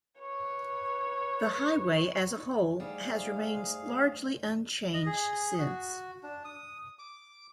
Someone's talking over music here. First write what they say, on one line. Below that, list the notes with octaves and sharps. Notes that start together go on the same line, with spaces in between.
The highway as a whole has remained largely unchanged since.
B4 C#5
G3 A3 D#4 G#4 C5 F5
D#5
G#4
F#4
D4
D#6
D6